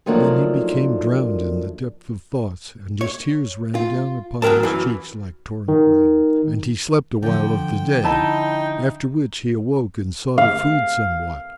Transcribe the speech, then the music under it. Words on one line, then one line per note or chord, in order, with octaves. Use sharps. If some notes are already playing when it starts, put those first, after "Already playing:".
Then he became drowned in the depth of thoughts and his tears ran down upon his cheeks like torrent-rain; and he slept a while of the day, after which he awoke and sought of food somewhat.
D#3 F3 F#3 A3 A#3 D4
C#5
F4
E2 F#3 G3 A#4 A5
F#2 E3
D#3
D3 F3 G5
D#4 E4 A5
F5